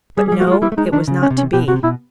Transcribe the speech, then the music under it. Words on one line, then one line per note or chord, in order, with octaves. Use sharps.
But no, it was not to be.
G3 G#4
G#4
G3
A3 F#4
G#3 F4
G3 E4
A3
G#3 D#4
D#3 D4
C#3
C#4
C3
C#4
B2 G4
C3 F#4
B2 E4